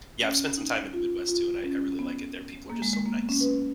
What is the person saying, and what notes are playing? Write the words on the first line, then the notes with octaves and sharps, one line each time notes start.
yeah, I've spent some time in the Midwest too, and I I really like it there. People are just so nice.
C#4
D#4
F4
F4
C#4
B3
A#3
G#3
G#3
A#3
B3
C#4
B4